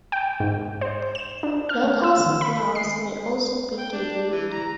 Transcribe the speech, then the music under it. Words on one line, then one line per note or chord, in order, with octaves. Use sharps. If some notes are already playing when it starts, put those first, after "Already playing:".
Local signals may also be delayed.
G5
G#2
C5
E7
D4
F6
A3
E6
D#3
B5
C7
G5
D4
E3
A#5